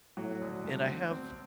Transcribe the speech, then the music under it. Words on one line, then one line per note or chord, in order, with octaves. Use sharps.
and I have,
A2 F#3
D2
D2 G2
C4
C4